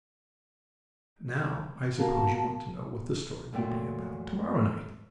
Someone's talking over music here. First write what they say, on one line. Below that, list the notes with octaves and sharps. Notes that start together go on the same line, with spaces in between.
But now I suppose you want to know what the story will be about to-morrow night.
B2 A#3 A5
F#2 A#2 A3 G5